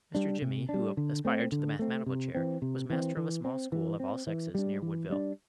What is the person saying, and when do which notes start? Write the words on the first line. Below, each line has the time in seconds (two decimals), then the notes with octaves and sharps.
Mr. Jimmy, who aspired to the mathematical chair, was master of a small school of all sexes, near Woodville.
0.15 G3 D4
0.42 C3
0.69 D4
0.74 G3
0.97 D3
1.25 A3 C4
1.52 D3
1.79 A3 C4
2.06 C3
2.35 E3 C4
2.62 C3
2.90 E3 C4
3.17 E3
3.45 C4
3.72 E3
4.00 C4
4.27 E3
4.54 G3 D4
4.82 E3
5.10 G3 D4